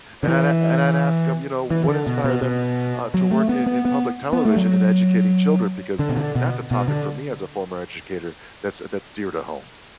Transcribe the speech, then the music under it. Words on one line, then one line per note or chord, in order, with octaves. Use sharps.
and I'd and I'd ask 'em, you know, what inspired them, uh, to work in in public television and educating children because that's a topic for me as a former educator that's that's dear to home.
D3
E3
E3
E3
D3
B2
B2
B2
F#3
A3
B3
B3
B3
B3
A3
F#3
D3
B2
D3
B2
B2
D3